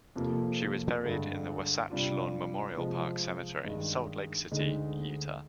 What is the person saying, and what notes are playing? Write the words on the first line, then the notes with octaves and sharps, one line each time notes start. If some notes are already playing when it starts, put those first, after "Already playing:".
She was buried in the Wasatch Lawn Memorial Park Cemetery, Salt Lake City, Utah.
F2 C3 F3 A#3
G2 D3 G#3
C3 G3 D4 F4
C3 F3 G#3
G2 D#3 G#3
D2 D3 G#3 D#4